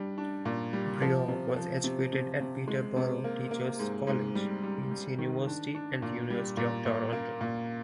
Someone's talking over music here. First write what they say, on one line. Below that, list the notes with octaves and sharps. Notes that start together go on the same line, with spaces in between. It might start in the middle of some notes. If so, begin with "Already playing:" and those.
Breaugh was educated at Peterborough Teachers' College, Queen's University and the University of Toronto.
Already playing: G3 D4
D4
A#2
G3
F3
C3
F3
C3
C3
C3
G#3
C3
A#3
A#3
G#2
G#2
G3
G3
G3
D#3
D4
D4
A#2
G3
A#2
A#2
A#3
A#2